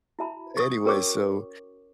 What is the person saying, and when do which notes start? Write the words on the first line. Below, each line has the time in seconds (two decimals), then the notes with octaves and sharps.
anyway, so,
0.19 E4 F#4 E5 A5 B5
0.57 C#6 D#6
0.85 C#4 F#4 A#4 C#5 C#6 D6